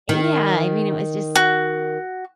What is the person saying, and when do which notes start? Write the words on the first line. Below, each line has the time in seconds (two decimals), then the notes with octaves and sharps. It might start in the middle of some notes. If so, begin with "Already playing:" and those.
Yeah, I mean, it was just
0.09 D#3
1.35 F#4